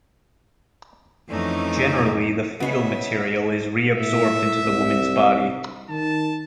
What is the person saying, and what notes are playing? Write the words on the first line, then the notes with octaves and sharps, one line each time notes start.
Generally, the fetal material is reabsorbed into the woman's body.
F2 E3 A3 C#4 D#4
C#3 G#3 B3 C#4 F#4 E5
A2 E5
C2
D#3 A5